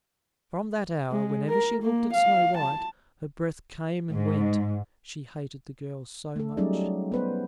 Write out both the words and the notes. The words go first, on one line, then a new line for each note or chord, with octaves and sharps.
From that hour, whenever she looked at Snow-white, her breath came and went, she hated the girl so much.
G#3
A#4
A#3
F5
A5
G#2
A3 A4
F#3 G3 C#4 D#4 G#4 D5
B3 B4 C5